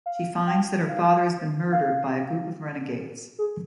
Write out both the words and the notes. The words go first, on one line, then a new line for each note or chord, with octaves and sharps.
She finds that her father has been murdered by a group of renegades.
F5
G5
F5
F5
G#4